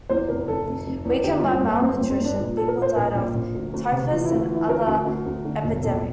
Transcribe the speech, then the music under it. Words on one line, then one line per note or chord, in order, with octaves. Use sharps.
Weakened by malnutrition, people died of typhus and other epidemics.
E2 C5
F1 A#4
F1 A4
F1
F1
E2
D3 G4
G2 F4
C4
G1 A#3
G1 C4
G1 C4
C4
G1 D4
A#2
A#2 A4
A#4
A#2 C5
A#1 A#4
A#1
A#1
D2
D2
C3
E3 F4
D2 E4
F4
E3 E4
D2 A#4
D2
D2
D2
D3
E1
A#1 A4